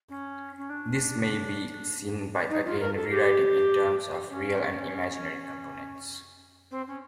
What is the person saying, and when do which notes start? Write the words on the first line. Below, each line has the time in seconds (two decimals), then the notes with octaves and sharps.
This may be seen by again rewriting in terms of real and imaginary components.
0.09 C#4
0.57 C#4
0.69 D4
2.49 D#4
2.65 F4
2.80 A#4
2.94 A4
3.10 G4
4.30 C#4
6.71 C4
6.87 C#4